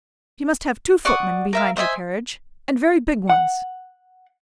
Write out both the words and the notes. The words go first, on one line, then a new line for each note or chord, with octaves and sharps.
She must have two footmen behind her carriage, and very big ones.
D5 F#5 C#6 D#6
A#4 E5 F5
C5 D#5 E5 G#5
F#5